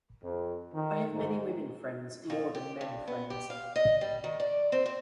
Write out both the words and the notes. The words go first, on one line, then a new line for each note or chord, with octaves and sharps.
I have many women friends, more than men friends.
F2
D#3
G#2
F2
G4
G2
B3
G4
F5
D#5
G3
D#3
D5
C4
C4